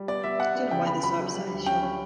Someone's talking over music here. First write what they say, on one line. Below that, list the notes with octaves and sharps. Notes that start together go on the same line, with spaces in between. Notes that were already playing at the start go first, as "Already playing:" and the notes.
I don't know why they're so upset at each other.
Already playing: G3
B3 D5
B3 E5
B3 F#5
B3
C#3 G5
C#3 B5
F#3 B5
F#3
G3
D2
C#4 G5
C#4